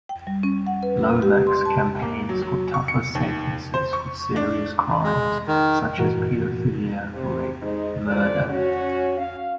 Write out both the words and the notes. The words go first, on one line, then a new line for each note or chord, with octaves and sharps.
Lomax campaigns for tougher sentences for serious crimes such as paedophilia, rape and murder.
G5
G3
C#4
F#5
B4
G4
C6
A5
A#3
F#3
F#3
C#6
C#7
D#2
C5
C#6
D4
G#3
D#3
G2 A#2 E3 F#4 A#4
C3
G#3 D#4 C5
A1 A#2 D3 F3 D5
C#4 F#4
F5